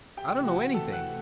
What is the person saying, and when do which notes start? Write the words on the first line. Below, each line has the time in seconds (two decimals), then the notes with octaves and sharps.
I don't know anything.
0.17 C3 E3 A3 G4 G5
0.45 F#4 F#5
0.74 A4 A5
0.92 F#5 F#6